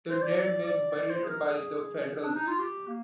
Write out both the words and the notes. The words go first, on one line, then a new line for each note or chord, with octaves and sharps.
The dead were buried by the Federals.
C5
D5
D5
D5
D5
C5
G#4
A#4
G#4
D4
D#4
F4
G4
A#3